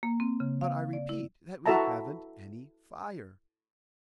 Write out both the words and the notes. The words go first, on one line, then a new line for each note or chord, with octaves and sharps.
"But, I repeat, that we haven't any fire!"
A#3
C4
C#3
F5
D5
E4
E4 F#4 A4 E5 A5 A#5